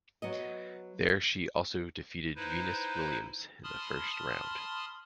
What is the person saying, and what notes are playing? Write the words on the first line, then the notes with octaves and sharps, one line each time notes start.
There she also defeated Venus Williams in the first round.
F#3 B3 D#5
D#4 E4 B4 C5
A5 B5 C6 D#6 F6